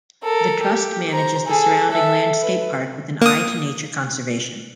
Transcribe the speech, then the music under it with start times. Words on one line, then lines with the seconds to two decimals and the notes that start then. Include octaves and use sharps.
The Trust manages the surrounding landscape park with an eye to nature conservation.
0.23 A4 A#4
0.62 G4
1.12 C5 A#5
1.46 G#4 A4
1.91 A4 E5
2.42 B4
3.21 A#3 D#6